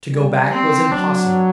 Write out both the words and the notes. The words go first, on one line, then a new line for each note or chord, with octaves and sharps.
To go back was impossible.
G3
C4
F#3 D4